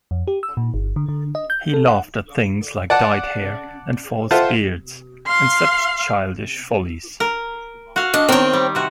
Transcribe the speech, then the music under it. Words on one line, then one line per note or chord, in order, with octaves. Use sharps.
He laughed at things like dyed hair and false beards and such childish follies.
F2
G4
E6
A#2
G1
D3
D3
D#5
G6
A4
F#5
D5 F#5 A5
F4 A4 C5 E5 F#5
F5 C6
A#4
F#4 F5
D4 D#5
D#3 C4 A#4 C#5 G5
G3
C3 F#4